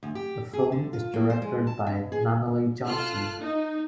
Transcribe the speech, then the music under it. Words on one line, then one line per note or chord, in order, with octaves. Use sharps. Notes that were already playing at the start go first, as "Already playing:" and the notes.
The film is directed by Nunnally Johnson.
D2
G4
G#4
D3
F4
A#3
C5
G#3
A5
B2
G#4
F4 A4 F6 F#6
D#4